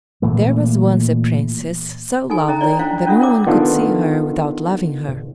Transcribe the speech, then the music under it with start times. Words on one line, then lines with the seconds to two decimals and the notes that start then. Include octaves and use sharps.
There was once a Princess so lovely that no one could see her without loving her.
0.22 A#2 E3 A3
2.30 D#4 A4 G#5 B5
2.48 C#4 D#5 E5 G5 A#5
2.61 E4 C#5 D5
2.79 D4 E4 C5 F5 G5
3.06 C#4 D4 F4 A4 E5 F#5
3.20 E4 A#4 C#5 G5 D6
3.47 D#3 B3 D4 F4 A4